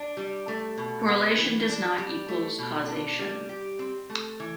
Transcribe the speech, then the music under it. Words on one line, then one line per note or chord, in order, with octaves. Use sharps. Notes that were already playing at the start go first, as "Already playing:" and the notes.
Correlation does not equals causation.
Already playing: D4
G3
A3
B2
B3
E3
D4
G3
A3
B2
D4
G3
G4
C4
A3
E3